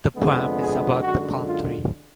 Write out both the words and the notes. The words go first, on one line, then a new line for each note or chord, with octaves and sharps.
The poem is about the palm tree.
F2 D3 G#3 B3 G#4
G#4
F#2 D3 G#3 F#4
F4